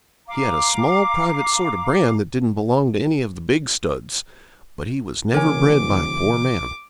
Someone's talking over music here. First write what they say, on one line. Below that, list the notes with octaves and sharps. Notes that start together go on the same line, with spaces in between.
He had a small private sort of brand that didn't belong to any of the big studs; but he was never bred by a poor man.
F5 A#5 D6
D#1 C#3 E3 A#4 C#5 G#5 D6